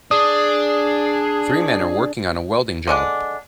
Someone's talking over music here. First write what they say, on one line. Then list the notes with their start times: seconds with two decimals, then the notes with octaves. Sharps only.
Three men are working on a welding job.
0.11 D4 G#4 D#6
2.87 D3 G#3 D4